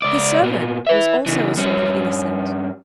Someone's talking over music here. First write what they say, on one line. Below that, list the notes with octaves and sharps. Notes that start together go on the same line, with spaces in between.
His servant was also a sort of innocent.
C#2 D5
A#2 B3
B4 E5
C#3 E3
G2 C#4